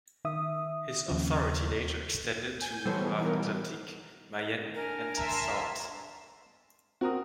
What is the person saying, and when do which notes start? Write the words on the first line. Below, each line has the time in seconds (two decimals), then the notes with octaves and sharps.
His authority later extended to Loire-atlantique, Mayenne and Sarthe.
0.25 D#3 E5 D#6
1.08 D#2 C#3 F3
2.60 G#5 G6
2.86 B2 E3 G3 A4 C5 C#5
3.21 D#4 A#4
4.74 D4 A#4 G#5
5.17 E5 A5 A#5 C6
7.01 C4 F#4 A#4 D#6